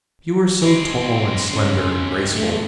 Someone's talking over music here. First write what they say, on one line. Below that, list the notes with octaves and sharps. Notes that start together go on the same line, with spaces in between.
You are so tall and slender and graceful.
G#3 C4
C#3
G2 A#2 A3